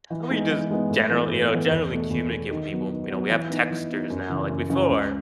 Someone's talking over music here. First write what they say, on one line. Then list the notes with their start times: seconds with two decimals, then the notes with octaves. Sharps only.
How we just generally, you know generally communicate with people. You know, we have texters now, like, before,
0.10 E3
0.31 G#3 B3 D#4
0.51 E3
0.71 G#3 B3 D#4
0.90 A2
1.11 E3 B3
1.31 A2
1.50 E3 B3
1.70 E2
1.91 B2 A3
2.10 E2
2.30 B2 A3
2.51 D#3
2.70 F#3 B3
2.91 D#3
3.10 F#3 B3
3.30 E3
3.50 B3 D#4
3.71 E3
3.91 B3 D#4
4.10 F#2
4.30 C#3 E3
4.50 F#2
4.70 C#3 E3
4.90 C#2